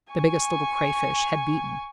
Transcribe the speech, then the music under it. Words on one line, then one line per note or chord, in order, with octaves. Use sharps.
The Biggest Little Crayfish had beaten.
G#5 C#6